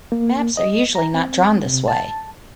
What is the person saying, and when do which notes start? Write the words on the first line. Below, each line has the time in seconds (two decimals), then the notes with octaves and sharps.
Maps are usually not drawn this way.
0.12 A#3
0.57 D#5
0.95 A#5
1.14 C4
1.65 C3
1.88 A5